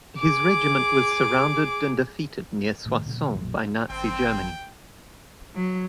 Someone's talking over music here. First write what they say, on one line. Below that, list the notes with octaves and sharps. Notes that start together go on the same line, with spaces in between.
His regiment was surrounded and defeated near Soissons by Nazi Germany.
G#4 D6
A2 D#3
A#2 C#3 F3
B2
C2 A2 D#3 F3
B1 F#2 A#2 F#3
G#1 C4 G5
F#3